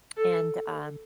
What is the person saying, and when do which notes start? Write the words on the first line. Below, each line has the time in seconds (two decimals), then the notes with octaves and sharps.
and, um
0.17 A4